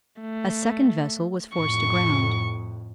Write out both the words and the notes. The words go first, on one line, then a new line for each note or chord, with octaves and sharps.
A second vessel was forced aground.
A3
F2 A2 C#6